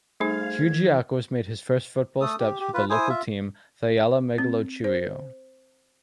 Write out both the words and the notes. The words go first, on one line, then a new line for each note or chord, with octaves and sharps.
Kyrgiakos made his first football steps with a local team, Thyella Megalochoriou.
G3 A3 D#4 G#4 C5 F5 G#6
E3
A3 A4 D#6
G4
G4
F4 B4
E4 C5 G#5 D#6
F4 E5
C4
C5